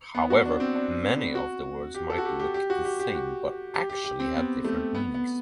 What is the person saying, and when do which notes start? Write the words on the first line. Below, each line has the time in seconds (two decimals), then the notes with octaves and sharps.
However, many of the words might look the same but actually have different meanings.
0.15 B3
0.30 F#4
0.45 D4
0.60 C4
0.75 D4
1.35 F#4
1.94 G4
2.10 A4
2.18 F#4
2.25 G4
2.40 G4
2.54 G4
2.70 F#4
2.85 G4
2.99 G4
3.15 F#4
3.74 G4
3.90 G4
4.04 G4
4.20 C4
4.35 B3
4.65 A3
4.95 B3
5.14 B3